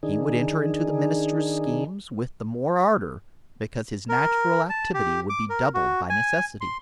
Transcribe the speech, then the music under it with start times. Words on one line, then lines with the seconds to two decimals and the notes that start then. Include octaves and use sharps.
He would enter into the minister's schemes with the more ardor, because his natural activity would be doubled by necessity.
0.03 D#3 D4 D#4 G#4
4.09 A#4
4.70 A5
4.94 G4
5.30 D6
5.50 A#4
5.74 F#4
6.10 G#5
6.61 C6